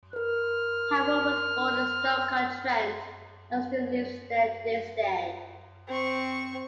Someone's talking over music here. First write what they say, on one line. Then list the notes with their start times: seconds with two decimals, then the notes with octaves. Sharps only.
Harold was born in Stoke-on-Trent and still lives there to this day.
0.13 A#4 B4 F6
5.88 C4 C#6